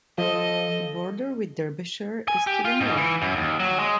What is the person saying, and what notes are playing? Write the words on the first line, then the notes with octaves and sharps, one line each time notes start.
The border with Derbyshire is to the north.
F3 A4 D#5
G#5
G4
F4
G#2
E3
F#2
D#2
F#3
G#3